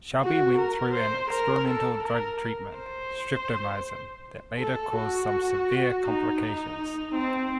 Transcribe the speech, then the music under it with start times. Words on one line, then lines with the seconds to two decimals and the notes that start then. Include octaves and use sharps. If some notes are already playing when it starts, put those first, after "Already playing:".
Selby went through an experimental drug treatment, streptomycin, that later caused some severe complications.
0.21 F#4
0.58 A#4
0.94 C5
1.31 A#4
1.67 A4
2.03 A#4
2.77 C5
4.59 A4
4.96 F#4
6.05 D#4
6.41 D#4
7.15 C4